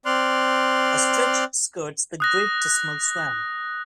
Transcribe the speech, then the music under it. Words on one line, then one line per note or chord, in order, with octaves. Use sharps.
A stretch skirts the Great Dismal Swamp.
C4 D5 C6 F6 F#6
D#6 F#6 A#6